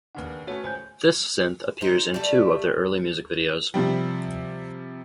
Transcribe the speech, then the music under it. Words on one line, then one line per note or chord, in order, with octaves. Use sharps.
This synth appears in two of their early music videos.
D#2 C#3 D4 B4 F#5
A3 B3 C#4 F#4 C#5
C#2 C5 G#5 G6
D#4 C5
G3 A3
C3 F3 G3